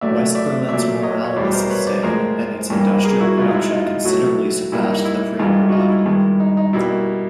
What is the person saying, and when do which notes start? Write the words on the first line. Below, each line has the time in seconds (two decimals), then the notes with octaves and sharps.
West Berlin's morale was sustained, and its industrial production considerably surpassed the pre-war level.
0.01 A2 F#3 A3 D5 E5
0.35 D5 E5
0.69 A#2 F#3 A3 D5 E5
1.02 C#5 D#5
1.24 C#5
1.36 E2 B2 G3 C5 D5
1.53 A#4 C5
1.70 B4 C#5
1.87 C5 D5
2.03 A2 F3 G#3 A#4 C5
2.70 G2 E3 G3 A#3
3.05 G#4 A#4
3.20 E4 F#4
3.37 B2 D#4 F4
3.41 G#3
3.49 D#4
3.54 E4
3.71 D#4 F4
4.05 A2 F#3 A3 E4 F#4
4.72 A#2 G3 A#3 E4
4.90 D#4
5.05 E4
5.39 G2 E3 G#3 D#4 F4
5.69 F#4
5.72 D#4 F4
5.90 E4
6.06 G2 D#3 G#3
6.40 D#4
6.57 D#4
6.73 B2 G3 A#3 E4